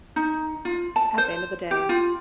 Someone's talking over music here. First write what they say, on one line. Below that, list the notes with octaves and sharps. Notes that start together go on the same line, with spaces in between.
At the end of the day.
D#4
F4
A5
C5
G4
F4